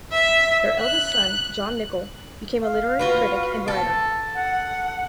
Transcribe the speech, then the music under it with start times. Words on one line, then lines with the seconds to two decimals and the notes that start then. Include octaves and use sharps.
Their eldest son, John Nichol became a literary critic and writer.
0.13 E5
0.81 F#6
2.61 F5
2.99 F4 F#4 B4
3.68 A4
4.34 F#5